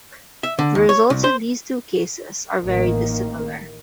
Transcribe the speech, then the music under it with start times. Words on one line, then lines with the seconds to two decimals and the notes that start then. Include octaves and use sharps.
The results in these two cases are very dissimilar.
0.43 E5
0.59 D3
0.75 D#2
0.89 C#5
1.10 C2
1.24 C5
2.61 A1 D#3 A#3